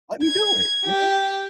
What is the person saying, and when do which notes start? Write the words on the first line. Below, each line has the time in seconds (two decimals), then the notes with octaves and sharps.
"Let me do it, you know?"
0.24 G#6
0.86 G4